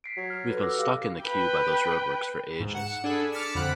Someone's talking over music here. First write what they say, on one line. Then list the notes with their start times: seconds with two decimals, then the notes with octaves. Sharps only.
We've been stuck in the queue by those roadworks for ages.
0.04 B6 C7 D7
0.17 F#3
0.30 F6
0.49 F#4 A4 B4
0.61 D6 E6 A#6
0.77 G4 F5
1.23 B4 G5
2.60 G#2
2.75 F#5 C#7 E7
3.04 D4 G#4 A4 G#5 B5
3.32 D6 F6 A6 B6 C#7 E7
3.55 F2 D3 F#5 B5 F#6 D7